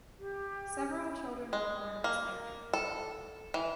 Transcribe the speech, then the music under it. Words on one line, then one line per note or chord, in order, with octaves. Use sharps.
Several children were born of this marriage.
G4
G#3
A#3
A4
E3